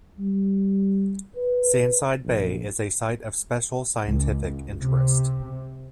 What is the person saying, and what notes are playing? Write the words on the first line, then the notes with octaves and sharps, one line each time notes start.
Sandside Bay is a Site of Special Scientific Interest.
G3
B4
A#1
C#2
C3